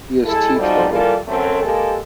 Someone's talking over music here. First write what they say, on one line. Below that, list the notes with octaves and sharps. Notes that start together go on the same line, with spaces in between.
He is teetotal.
G#3 E4 G#4 A4
F3 G3 G#3 C4 D#4 F#4
E3 G3 A#3 F4 A4 A#4
F#2 A3 C4
G#3 A#3 G4 A4 A#4